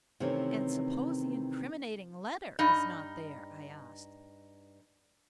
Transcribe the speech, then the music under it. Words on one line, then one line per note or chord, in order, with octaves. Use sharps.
"And suppose the incriminating letter is not there?" I asked.
C3 D#3 E3 A3 C4 C#4
G2 D#4